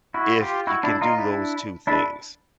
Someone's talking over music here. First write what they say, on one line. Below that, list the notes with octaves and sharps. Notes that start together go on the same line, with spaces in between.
if you can do those two things,
E4 F#4
F4 G4
E4 F#4
D4 E4
D#4 F4
D4 E4
D4 E4